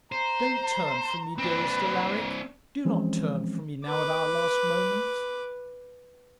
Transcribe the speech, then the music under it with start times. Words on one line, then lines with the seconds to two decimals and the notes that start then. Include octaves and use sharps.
'Don't turn from me, dearest Alaric; do not turn from me now at our last moments.
0.12 C5 A#5
1.38 C4 D4 B4
2.85 E3 F3 G#3 C4 C#4
3.85 B4 D6